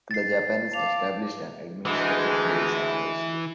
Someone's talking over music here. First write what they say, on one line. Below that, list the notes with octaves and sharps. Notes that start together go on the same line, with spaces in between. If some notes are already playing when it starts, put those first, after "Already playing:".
The Japanese established an administrative base and airstrip.
A6 C7
F5 A5 D6 F7
D2 E3 G#3